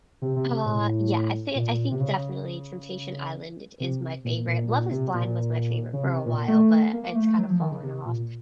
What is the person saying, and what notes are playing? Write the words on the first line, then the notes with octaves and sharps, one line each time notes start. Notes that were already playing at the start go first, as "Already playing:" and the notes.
Uh, yeah, I thi I think definitely Temptation Island is my favorite Love is Blind was my favorite for a while, but it's kind of fallen off,
C3
C3
C3
A2
A#2
C3
C#3
C3
A#2
A#2
A#2
C3
A#2
C#3
C3
A#2
A3
A#3
A#3
A3
A3
F#3
F3
D#3
C#3
C3
A#2